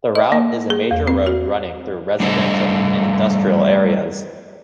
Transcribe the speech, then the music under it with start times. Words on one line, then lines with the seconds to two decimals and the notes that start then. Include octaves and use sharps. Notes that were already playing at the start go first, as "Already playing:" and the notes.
The route is a major road running through residential and industrial areas.
0.15 D#5
0.32 A#3
0.70 G#4
0.91 E2
1.07 C4
1.27 F#4
2.20 G3 A3 D4 C5 D#5